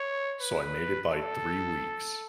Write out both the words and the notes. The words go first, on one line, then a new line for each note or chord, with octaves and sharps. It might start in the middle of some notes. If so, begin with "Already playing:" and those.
So I made it by three weeks.
Already playing: C#5
B4
A4